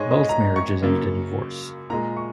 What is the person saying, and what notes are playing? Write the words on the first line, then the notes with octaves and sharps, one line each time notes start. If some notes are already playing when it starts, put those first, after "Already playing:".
Both marriages ended in divorce.
Already playing: G#2 G#3 C#5 D#5
D#5
A#5
C#6
F#2 C#3 A#3
A#2 G#3 A#5
C#6